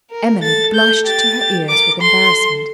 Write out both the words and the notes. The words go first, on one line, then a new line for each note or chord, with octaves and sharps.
Emily blushed to her ears with embarrassment.
A#4
A4 A6
G6
G4 A6
G4
A#4 D6
A4 C6